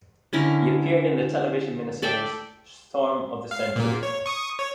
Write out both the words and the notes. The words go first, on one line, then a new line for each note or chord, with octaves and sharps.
He appeared in the television miniseries "Storm of the Century".
D3 C#4 E4 A#4
A4 D5 E5 G5
F5
A#2 A#3
C#5
C#6 D#6
C#5